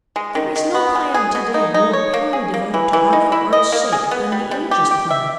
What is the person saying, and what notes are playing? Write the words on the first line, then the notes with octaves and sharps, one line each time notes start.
There is no clan to-day more purely devoted to art for art's sake than the Imagist clan.
G#3
D#3
D#3
B3
G#3
G#4
B2
D#4
D#4
C#5
A#3
G#4
A#3
E3
E3
D#4
E4
D#5
A#3
G#4
B3
G3
G3
G4
G4
E5